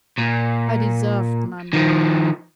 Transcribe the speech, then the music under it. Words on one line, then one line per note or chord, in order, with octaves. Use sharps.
I deserved none.
A#2
D#3 F3